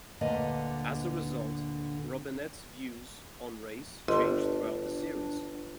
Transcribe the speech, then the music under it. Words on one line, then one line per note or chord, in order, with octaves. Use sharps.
As a result, Robinette's views on race change throughout the series.
D2 A#2 D3 B4 D#5
G1 D4 D#5 C6